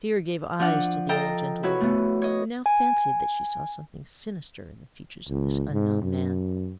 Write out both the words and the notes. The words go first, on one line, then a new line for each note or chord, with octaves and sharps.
Fear gave eyes to the old gentlewoman, who now fancied that she saw something sinister in the features of this unknown man.
F3 D4 F#5 F6
A4 D#5 F5 G5 A#5
E4 F#4 B4 C#5
A3 B3
C#5 D#5
G#5
C#2
G#2
F#2